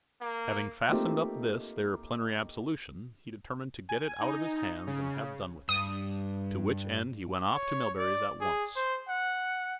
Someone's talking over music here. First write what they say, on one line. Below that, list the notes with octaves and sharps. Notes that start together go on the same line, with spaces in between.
Having fastened up this their plenary absolution, he determined to get it out of his hands and have done with it; to which end he went off to Melbury's at once.
A#3
A3 A#3 C4 D#4 F4 G4
G#5
D#4
C#3
G2 D#6
C#5
D5
G#4
C5
F#5